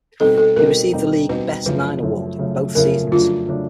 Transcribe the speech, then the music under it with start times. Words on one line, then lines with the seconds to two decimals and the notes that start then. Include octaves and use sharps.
He received the league Best Nine Award in both seasons.
0.20 B2 G3 C4 D#4 A4
0.38 A4
0.56 B2 G3 C4 D#4 A#4
0.93 B2 G3 C4 D#4
1.29 B2 G3 C4 D#4 B4
1.66 F#2 C#3 F3 A3 B4
2.02 F#2 C#3 F3 A3
2.39 F#2 C#3 F3 A3
2.75 F#2 C#3 F3 A3 A#4
3.12 F2 C#3 F#3 A3 D4 F4
3.49 C#3 F#3 A3 D4